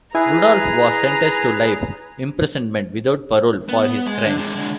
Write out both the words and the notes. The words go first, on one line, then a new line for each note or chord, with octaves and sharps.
Rudolph was sentenced to life imprisonment without parole for his crimes.
E4 G#4 B4 G#5 A#5
B3
G#3
D3
C3 G#3
D3 G#3